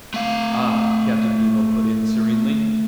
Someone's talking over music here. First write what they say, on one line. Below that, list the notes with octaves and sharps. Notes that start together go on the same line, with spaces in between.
"Ah!" Captain Nemo put in serenely.
A3 F5